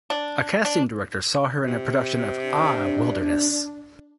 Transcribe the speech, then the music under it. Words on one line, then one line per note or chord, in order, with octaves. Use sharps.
A casting director saw her in a production of Ah, Wilderness!
D4
D4
C3
D4